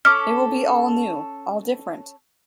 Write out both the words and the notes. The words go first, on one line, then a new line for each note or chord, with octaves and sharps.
It will be all new, all different.
C#4 A4 D6 F6